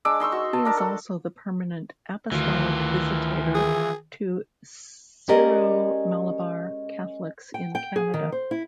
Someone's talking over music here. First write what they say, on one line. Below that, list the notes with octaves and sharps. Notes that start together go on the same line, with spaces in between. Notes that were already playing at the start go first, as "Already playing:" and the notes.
He is also the permanent Apostolic Visitator to Syro-Malabar Catholics in Canada.
G#3 D4 D6 E6
D#4 C6 C#6 E6
F#4
A5
D4 A#4 A5
A4
D2 D#3 E3 F4
G#4
G#3 C#4 G4 A#4 D5 D#5
G5
G5
G#4
D#3
C5
E4